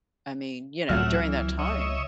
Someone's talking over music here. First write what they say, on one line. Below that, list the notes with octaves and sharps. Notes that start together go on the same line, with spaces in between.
I mean, you know, during that time.
C#2 A2 F#3 A3 C4 E5 F#5 F6
E3
C#5 D#5 E5